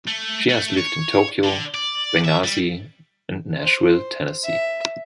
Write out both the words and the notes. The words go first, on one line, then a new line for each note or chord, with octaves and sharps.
She has lived in Tokyo, Benghazi and Nashville, Tennessee.
A3
A3
C#5
D3
D5
E5
G3
C5
E5